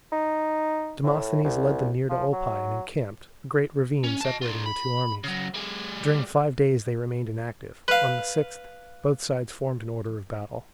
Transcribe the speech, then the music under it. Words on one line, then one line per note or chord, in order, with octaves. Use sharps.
Demosthenes led them near to Olpae and encamped, a great ravine separating the two armies. During five days they remained inactive; on the sixth both sides formed in order of battle.
D#4
A2
C2
F3
F#3
C#4
D#5 A5
D4 F4
B5
C#3 F#3
G3 G#4
B4 F5